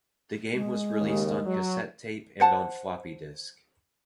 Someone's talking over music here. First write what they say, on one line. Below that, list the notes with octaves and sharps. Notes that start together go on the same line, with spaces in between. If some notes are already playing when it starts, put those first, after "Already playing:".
The game was released on cassette tape and on floppy disk.
G#3
D#2 C#3 G4
F#3
C5 F#5 A5